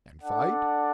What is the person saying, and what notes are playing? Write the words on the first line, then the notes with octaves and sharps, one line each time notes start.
"And fight?"
D4 A4 D5 F#5